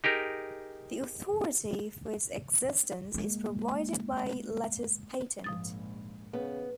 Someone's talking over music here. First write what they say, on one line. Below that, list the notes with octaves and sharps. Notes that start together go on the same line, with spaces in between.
The authority for its existence is provided by Letters Patent.
D#4 G4 G#4 A#4
G#3 A#3
A#1 G#2 F3 D#6 A6
C#3 B3